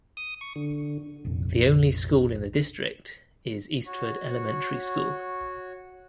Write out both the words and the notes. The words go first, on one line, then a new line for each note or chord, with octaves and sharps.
The only school in the district is Eastford Elementary School.
D#6
C#6
D3
A#1 F2 C3
F#4 C#5